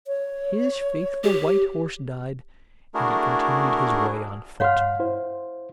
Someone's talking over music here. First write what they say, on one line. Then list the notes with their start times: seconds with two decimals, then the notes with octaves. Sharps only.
His faithful white horse died, and he continued his way on foot.
0.07 C#5
1.24 G4
2.94 A3 D4 E4 F#4 G#4 A#4
4.60 G2 C#5 F5 F#5 C6 F6
5.00 E4 C5